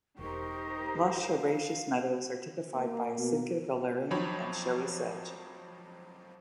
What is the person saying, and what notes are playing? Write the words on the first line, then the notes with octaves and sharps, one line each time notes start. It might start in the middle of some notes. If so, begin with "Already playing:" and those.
Lush herbaceous meadows are typified by Sitka valerian and showy sedge.
E1 D#4 G4 A#4 C5 C#6
F5
A#3
B2
F2 F3 F#3 C#5 B5